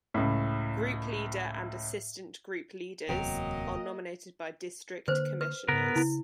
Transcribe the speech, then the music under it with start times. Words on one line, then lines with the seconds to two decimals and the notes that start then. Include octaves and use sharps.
Group leader and assistant group leaders are nominated by District Commissioners.
0.14 C#2 A2
3.09 D1 E2 C3 F#3 A#3 D#5 G5 A#5
5.08 D3 A#3 B4 C5
5.41 B4
5.68 G#2 C#3 B3 A#4
5.96 C#3 E4